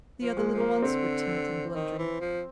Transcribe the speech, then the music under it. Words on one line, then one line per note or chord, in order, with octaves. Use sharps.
The other little ones were timid and blundering.
F3
G#3
F3
A#3
D3 C4
D#3
E3
F3